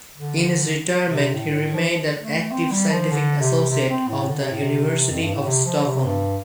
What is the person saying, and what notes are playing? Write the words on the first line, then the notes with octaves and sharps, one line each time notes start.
In his retirement, he remained an active scientific associate of the University of Stockholm.
D3
C3
A2
A2
F3
A3
C4
G3
F3
D3
C3
C3
C4
A2
D3
C3
A2
C3
F2
G2
A2
C3
F3
C3
G2